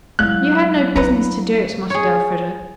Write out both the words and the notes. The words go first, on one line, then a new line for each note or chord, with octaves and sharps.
"You had no business to do it," muttered Elfreda.
F#3 G#3 E4 F5 F#6
D4 B4 A#5
G#4 C#5